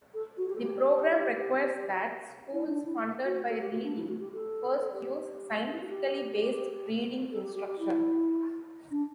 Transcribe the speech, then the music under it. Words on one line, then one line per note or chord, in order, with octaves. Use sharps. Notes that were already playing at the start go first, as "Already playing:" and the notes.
The program requires that schools funded by Reading First use "scientifically based" reading instruction.
A4
F#4
G4
A4
G4
E4
D4
E4
F#4
A4
G4
F#4
D4
E4
F#4
G4
A4
A4
G4
D4
E4
F#4
G4
A4
G4
G4
G4
E4
D4